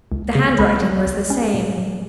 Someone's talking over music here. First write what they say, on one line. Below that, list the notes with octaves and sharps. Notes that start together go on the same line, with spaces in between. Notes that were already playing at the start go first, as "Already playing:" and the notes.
The handwriting was the same!
C#2
C#3
C#2 B5
F#3
C#2
C#4
A#2
F#3